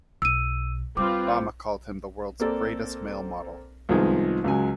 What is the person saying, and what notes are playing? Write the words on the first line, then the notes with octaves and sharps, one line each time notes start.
Bama called him the world's greatest male model.
B1 E6 D#7
G3 C4 F4 B4 D6
A#3 C4 A4 D5
C2 D#3 F3 G#3 B3
C#2 C#3 F#3 G#3 G#5